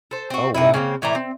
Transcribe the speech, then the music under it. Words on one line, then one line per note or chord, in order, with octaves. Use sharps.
Oh wow.
A4 C5
C4 F#4
C3 D#4 E4
C#3 A#3 C4
A2 E3 D5 A#5
C4